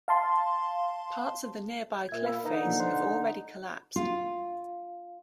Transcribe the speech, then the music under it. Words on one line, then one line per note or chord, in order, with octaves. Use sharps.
Parts of the nearby cliff face have already collapsed.
F5 A5 C6
A#2 E5 G#6
F5 B5 E6
D3 D#4 B4 D#5 A#5
B2 F3 A#3
C5 F#5 C6
F4